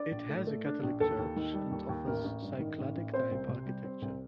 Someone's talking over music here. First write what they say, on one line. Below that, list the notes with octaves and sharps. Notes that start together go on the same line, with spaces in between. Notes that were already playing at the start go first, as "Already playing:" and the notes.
It has a Catholic church, and offers Cycladic type architecture.
Already playing: D4 D5
A#1
A2
A3
D4
A#1
D#2 A4
D#2
D#3
G3
D#2
D#2
A1 A#4
A1
G2
D#3
A1
A1
C4 C5
C2
C3
G3
C4
C2